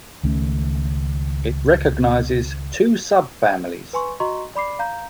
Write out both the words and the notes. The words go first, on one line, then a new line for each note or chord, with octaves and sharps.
It recognizes two subfamilies.
C#2 D#3 A3 C#4
B4 G#5 C6 C#6
F#4 D#5 A#5 C6 C#6
D5 B5 D6 C7
F5 A#5 G6